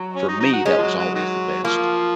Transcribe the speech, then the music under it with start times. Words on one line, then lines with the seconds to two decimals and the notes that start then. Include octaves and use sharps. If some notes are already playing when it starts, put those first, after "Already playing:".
For me, that was always the best,
Already playing: F#3
0.16 C#4
0.28 D#4
0.40 D#4
0.53 F#4
0.65 G#3 C#4
0.78 F3
0.82 F#3
0.98 F#3
1.15 D#3 F#3
1.64 F3 A#3